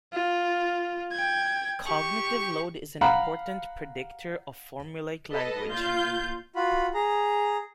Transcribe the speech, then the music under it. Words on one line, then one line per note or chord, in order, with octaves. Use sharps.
Cognitive load is an important predictor of formulaic language.
F4
G5 G#6
G4 C#6
F5 F#5 A#5 B5
A4 B4 D#5
A#2 F4 G6
F4 F#4 B5
G#4 A#5